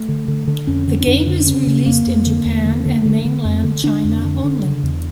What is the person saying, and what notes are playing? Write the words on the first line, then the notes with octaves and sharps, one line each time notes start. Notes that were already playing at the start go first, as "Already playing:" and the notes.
The game is released in Japan and mainland China only.
Already playing: A3
D3
D3
D3
F2 C#4
D3
C#4
F2 D4
D3
D4
C#3 C#4
C#3
F2 A#3
F2
D3
E2
D3
D3
D3
D3
F2
D3
D3 D4
F2
D3
D3
C#3
E2